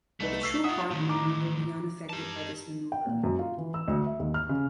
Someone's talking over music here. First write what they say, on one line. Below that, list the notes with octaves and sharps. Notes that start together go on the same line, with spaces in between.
A true heart murmur will be unaffected by this manoever.
C2 A3 D#4 B4
C#6 E6 C7
F4 E5 F#5 D#6
A2 D#3
A#5 D6
G4 A5
G5
A#2
F#2
F4
E3
E6
D2
E5
D#2
F6
C#3